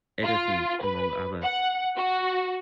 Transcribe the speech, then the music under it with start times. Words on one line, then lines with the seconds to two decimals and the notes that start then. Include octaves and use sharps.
Eddison, among others.
0.24 F4
0.82 B4
1.42 F#5
1.97 F#4